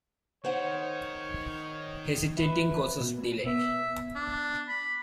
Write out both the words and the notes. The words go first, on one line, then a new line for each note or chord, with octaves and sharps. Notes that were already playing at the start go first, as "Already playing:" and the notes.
Hesitating causes delay.
D#3 C5 C#5 F#5
B4 E5
B2
B3 E5
D4
B5